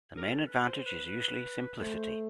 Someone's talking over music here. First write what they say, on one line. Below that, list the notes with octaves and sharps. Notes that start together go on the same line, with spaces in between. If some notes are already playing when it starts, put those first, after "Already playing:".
The main advantage is usually simplicity.
A#4
A4
B4
C5
B4
B4
A3 C5